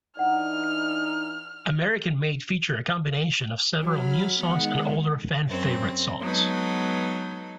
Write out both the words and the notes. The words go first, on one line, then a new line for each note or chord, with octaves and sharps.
American Made featured a combination of several new songs and older fan-favorite songs.
E3 D4 D#4 D5 F#5 F6
F#3 B5 F6
D#3 G#3 B3 F#5
F#2 C4
F#3 G#3 B3 D#4 A4 B4